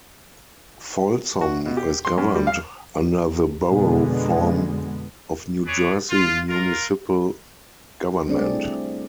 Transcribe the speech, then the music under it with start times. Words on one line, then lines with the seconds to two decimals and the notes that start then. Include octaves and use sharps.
Folsom is governed under the Borough form of New Jersey municipal government.
1.41 F#4
1.66 B2
1.77 G4
2.05 C6
2.18 F#2
2.35 G3
2.47 F5
3.68 F2 B2 D3 G#3 B3
5.66 G#4 B4 C#5 D5
6.10 F4
6.49 F4 A#4
8.28 G3 A3 C4 D4 G#4 D5
8.54 E4